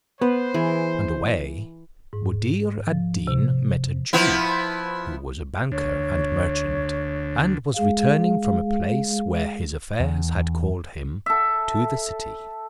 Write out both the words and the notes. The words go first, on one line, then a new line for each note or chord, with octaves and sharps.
On the way Buddir ad Deen met a Jew, who was a banker and merchant, and was returning from a place where his affairs had called him, to the city.
B3 B4 C5
E3 G#4
G#2
F3
C3
F3 B3 E4
D2 C#5
G#3 G#4 F5
E2
A4 E5